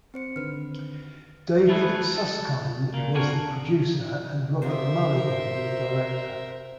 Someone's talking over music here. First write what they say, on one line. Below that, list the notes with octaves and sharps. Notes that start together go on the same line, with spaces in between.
David Susskind was the producer and Robert Mulligan the director.
C4 C5 C#7
D3 D#3 B4 F6
E3 F#3 A3 B3 E4
A4
A#2 A#3
C4 D4 F#4 A#4 G#5
C3 F4 A#4 C5 E5